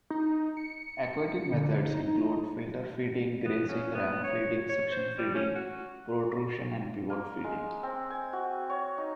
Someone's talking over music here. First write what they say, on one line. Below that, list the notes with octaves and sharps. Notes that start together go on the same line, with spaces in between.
Aquatic methods include filterfeeding, grazing, ram feeding, suction feeding, protrusion and pivot feeding.
D#4
C#7
D3
D#4
B3
C#4
B3
C#5
C#5
C5
G3
C#4
F#4
A#3
G#3
C4
G#5
F#4
C#5
D#4